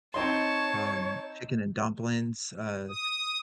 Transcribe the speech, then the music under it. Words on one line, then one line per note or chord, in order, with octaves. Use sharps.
um, chicken and dumplings. Uh,
C4 D#4 C#5 A5 C6
D#6